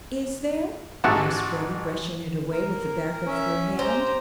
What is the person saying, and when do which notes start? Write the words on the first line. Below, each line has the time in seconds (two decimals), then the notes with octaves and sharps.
"Is there?" asked Betty, brushing it away with the back of her hand.
1.04 A1 G#2 F#4 E5 F#5 A5
2.51 A#3 A#4
3.26 C#4 E5
3.79 G4 C5 A#5